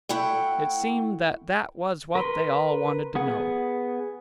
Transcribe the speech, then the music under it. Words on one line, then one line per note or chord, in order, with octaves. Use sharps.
It seemed that that was what they all wanted to know.
A3 E4 F#5 G5
A#4 B4 C6
B3 G#4 F#5